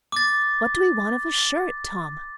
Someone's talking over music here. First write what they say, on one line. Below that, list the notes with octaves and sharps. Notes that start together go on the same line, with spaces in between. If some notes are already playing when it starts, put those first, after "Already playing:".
"What do we want of a shirt, Tom?"
D6 A6